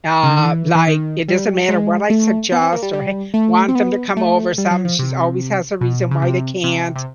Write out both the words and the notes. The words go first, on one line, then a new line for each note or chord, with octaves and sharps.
Uh, like, it doesn't matter what I suggest or hey want them to come over some, she's always has a reason why they can't,
C#3
D3
D#3
E3
E3
D#3
G3
G#3
A3
B3
C4
A#3
G3
G3
A3
C4
B3
A3
G3
F#3
F3
C3
B2
C#3
C3
C3
C3